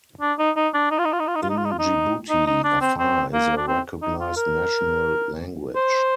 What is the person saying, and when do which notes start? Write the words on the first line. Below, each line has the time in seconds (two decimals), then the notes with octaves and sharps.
In Djibouti, Afar is a recognized national language.
0.21 D4
0.39 D#4
0.56 D#4
0.74 D4
0.91 D#4
0.99 F4
1.05 D#4
1.13 F4
1.20 D#4
1.28 F4
1.35 D#4
1.43 F4
1.50 D#4
1.57 F4
1.65 D#4
1.71 F4
1.79 D#4
2.30 D#4
2.47 D#4
2.64 D4
2.81 C4
2.99 C4
3.34 A#3
3.57 D4
3.68 C4
4.02 D#4
4.20 F4
4.37 A#4
5.76 C5